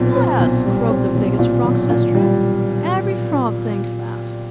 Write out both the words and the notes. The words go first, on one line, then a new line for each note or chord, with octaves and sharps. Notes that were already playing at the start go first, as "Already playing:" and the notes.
"Yes," croaked the Biggest Frog's Sister, "every Frog thinks that."
Already playing: B1 A#2 C4
C4
B1
G3
C4
B1
A#2
B1
A#2
G3